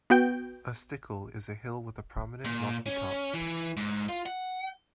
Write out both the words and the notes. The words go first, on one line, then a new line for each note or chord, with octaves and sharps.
A "stickle" is a hill with a prominent rocky top.
B3 F#4 G5
A#2
C#4
E3
G#2
F4
F#5